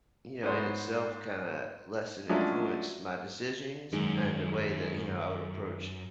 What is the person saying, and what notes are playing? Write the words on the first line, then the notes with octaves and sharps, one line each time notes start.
you know, in itself kinda less than influenced my decisions, and the way that, you know, I would approach,
G#2 B3 C5 C#5
F3 F#3 G#3 A3 C#4 D4
F#2 D#3 G#3